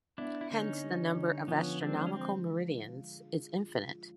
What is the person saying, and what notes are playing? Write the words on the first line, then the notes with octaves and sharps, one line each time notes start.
Hence, the number of astronomical meridians is infinite.
B3 D4 E4
E4
D3 C#4 D#4
G3
D3
F3 B3 C#4
G#3 C4 D4
C#4
C4